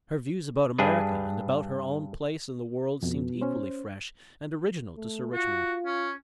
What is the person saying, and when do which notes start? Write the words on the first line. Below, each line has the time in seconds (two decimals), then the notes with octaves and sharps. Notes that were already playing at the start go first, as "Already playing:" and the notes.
Her views about America and about her own place in the world seemed equally fresh and original to Sir Richmond.
0.78 G2 D4 G#4 B4
3.03 F2 B2
3.41 C#4 C5
4.97 A3
5.33 F4 F#4
5.86 C#4